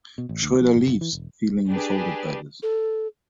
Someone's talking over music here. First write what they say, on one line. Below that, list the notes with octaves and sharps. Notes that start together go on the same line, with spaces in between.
Schroeder leaves feeling insulted by this.
B2
A1
D2
F3
G#1
F#1
E3
E1
D4 G4 G#4 B4
A4